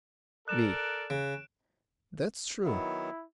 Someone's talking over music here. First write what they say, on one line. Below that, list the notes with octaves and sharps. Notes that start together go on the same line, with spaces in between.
ME: That's true.
A4 A#4 D5 F#6 E7
C#3 D7
D#3 F#3 B3 E4